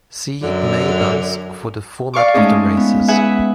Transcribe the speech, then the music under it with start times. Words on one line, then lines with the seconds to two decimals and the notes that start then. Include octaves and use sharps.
See May Bumps for the format of the races.
0.42 F#2 D3
2.13 D5 F5 C#6 D6
2.34 G#3 A3 C#4 D#4 G#4
2.77 B3
3.08 G#4 B4 E5 F#5 G#5